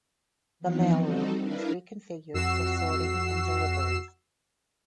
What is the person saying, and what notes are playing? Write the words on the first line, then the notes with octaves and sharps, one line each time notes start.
The mailroom was reconfigured for sorting and deliveries.
E3 F3 B3 C4 D#4
G3 C4 D#4 F#4 A4
D4 E4 A#4 B4 F5
F2 F#4 E6 C7 E7